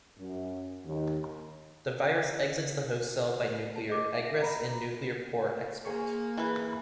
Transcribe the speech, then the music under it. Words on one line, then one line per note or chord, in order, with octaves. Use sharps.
The virus exits the host cell by nuclear egress, and nuclear pore export.
F#2
D#2
A5
D#5 D6
E5
A#6
A#5 B5
A#3 G#4 G#5 C6 C#6
E3 G#4 B4